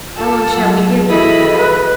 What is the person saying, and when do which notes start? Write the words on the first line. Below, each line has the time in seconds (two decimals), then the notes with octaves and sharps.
"How long shall we give them, Kreta?"
0.13 F4 A4
0.55 F#3 G#4 F#5
1.09 E4 F#4 G#4 A4 D#5 B5
1.58 B4